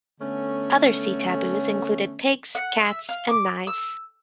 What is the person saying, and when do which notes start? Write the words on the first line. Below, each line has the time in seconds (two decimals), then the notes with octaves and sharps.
Other sea taboos included pigs, cats, and knives.
0.20 D3 A3 B3 C#4
2.55 F#5
2.81 E5
3.09 F5
3.29 D6
3.67 E6